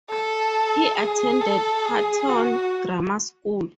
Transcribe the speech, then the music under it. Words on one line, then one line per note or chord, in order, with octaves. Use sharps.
He attended Hutton Grammar School.
A4
G#4
A4
G#4
F#4